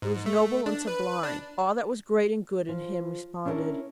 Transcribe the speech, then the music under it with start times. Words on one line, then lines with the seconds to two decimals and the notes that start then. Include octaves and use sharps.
It was noble and sublime; all that was great and good in him responded.
0.02 G#2
0.26 A3
0.66 D4
0.87 B4
1.23 D4
2.69 F3
3.45 C#4 D4 E4 G#4 A#4